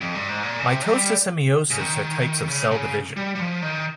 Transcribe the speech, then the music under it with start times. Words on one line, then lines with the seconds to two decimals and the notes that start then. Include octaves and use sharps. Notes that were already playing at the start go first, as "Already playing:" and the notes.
Mitosis and meiosis are types of cell division.
0.01 F2
0.15 G2
0.29 G#2
0.43 A#2
0.59 C#3
0.65 C3
0.88 G3
1.70 C#3
1.79 D#3
2.48 C#3
2.71 C#3
3.17 G3
3.35 G3
3.40 F3
3.62 D#3